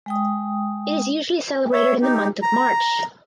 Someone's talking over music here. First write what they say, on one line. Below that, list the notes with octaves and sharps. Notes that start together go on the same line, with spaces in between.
It is usually celebrated in the month of March.
G#3 G5 D#6
C#5 E5
D#4 G4
A#5